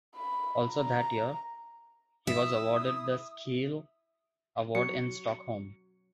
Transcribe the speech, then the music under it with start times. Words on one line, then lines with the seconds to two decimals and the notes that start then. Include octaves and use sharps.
Also that year, he was awarded the Scheele Award in Stockholm.
0.16 B5
0.72 A#5
2.27 E4 E5 D#6
4.75 F#3 F#4 C#5 C#7